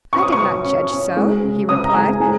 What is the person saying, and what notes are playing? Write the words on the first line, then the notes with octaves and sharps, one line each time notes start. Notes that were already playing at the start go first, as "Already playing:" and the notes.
"I did not judge so," he replied.
C#4 C#6
D#6
C#6
F#3
C#4
C#4
G#3
C#3
C#3 D#6
A#5
G#3 G#5
G#3 G#5